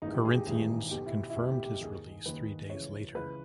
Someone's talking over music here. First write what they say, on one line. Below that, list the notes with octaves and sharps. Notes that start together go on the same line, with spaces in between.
Corinthians confirmed his release three days later.
G#1 G#2 E3 D#4
G4
G#4
G4
G#1 G#2 E3 G#4
B1 B2 G4
E4
E4
B1 B2 G4
G4
G4
D#2 D#3 G#4
D#2 D#3 B4
C#2 C#3 E3 C#5
C#2 C#3 E3 B4